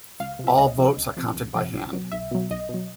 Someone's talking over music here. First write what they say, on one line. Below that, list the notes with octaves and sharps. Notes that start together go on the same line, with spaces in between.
All votes are counted by hand.
C#2 F5
C3
F3 E5
C#2 D#5
C3 F3
C#2
C3 F3
C#2
C3 F3
B1
B2 F#3
B1 E5
B2 F#3
B1 D#5
B2 F#3